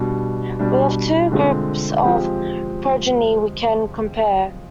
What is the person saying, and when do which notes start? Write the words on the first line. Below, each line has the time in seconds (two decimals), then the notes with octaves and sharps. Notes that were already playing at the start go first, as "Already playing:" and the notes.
We have two groups of progeny we can compare.
Already playing: B2 G3 D4
0.59 B2 G3 D4
1.32 D3 G#3 C4 F4
2.03 F3 G#3 C4 G4